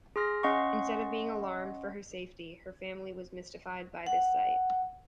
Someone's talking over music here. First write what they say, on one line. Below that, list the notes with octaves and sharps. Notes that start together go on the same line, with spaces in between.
Instead of being alarmed for her safety, her family was mystified by this sight.
G#4 C6 F6 A#6
C#4 D#5 F5 F#5 C6 C#6
F#5